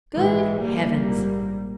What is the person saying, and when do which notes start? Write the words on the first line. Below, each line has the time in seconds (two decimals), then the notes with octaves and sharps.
"Good Heavens!"
0.15 A#1 G#2 E3 G#3
0.59 G3 A#3
1.05 A#1 G#2